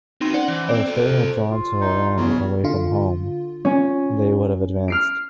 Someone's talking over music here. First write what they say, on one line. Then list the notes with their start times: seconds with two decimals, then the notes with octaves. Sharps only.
If they had drawn to Iran away from home, they would have advanced.
0.21 C4 D#4 F#4 C6
0.34 C#4 C5 D5 F#5
0.48 E3
0.69 C4 D5 D7
0.86 A4 C5
1.11 C3
1.51 F4
1.81 D#4
2.17 E2 C#3 F#3
2.64 D3 F4
3.65 C#4
4.88 F6 C7 D7